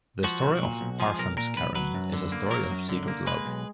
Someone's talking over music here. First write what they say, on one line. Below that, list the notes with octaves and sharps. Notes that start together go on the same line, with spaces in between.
The story of Parfums Caron is a story of secret love.
F3 F#4
B1
A#2
B1
F3 G#4
B1 A#4
A#2 A#4
B1 B4
F#3 B4
F#2
D3
A#3
F#3 A#4
F#2
D3
A#3
G#3 B4
B1